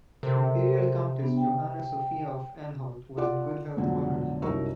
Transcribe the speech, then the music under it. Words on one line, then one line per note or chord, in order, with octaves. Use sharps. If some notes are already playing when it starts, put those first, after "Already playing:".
Imperial Countess Johanna Sophia of Anhalt was in good health all her life.
C3 A4 A#4 C5
B3 D4
G5
F4 A4 D5 F#5 D6
F2 G#2 B2 D3 F#3
C2 F#2 D#4 A#4 C#6 E6